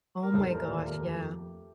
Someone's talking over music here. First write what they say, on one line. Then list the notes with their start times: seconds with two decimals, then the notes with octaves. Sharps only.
Oh my gosh, yeah.
0.23 A#4
0.34 G3 A4 C5
0.51 A2 A#4 D5
0.67 D#2 A4 C5
0.84 D#2 G4 A#4
1.01 F2 A4
1.17 F2 G4
1.34 A3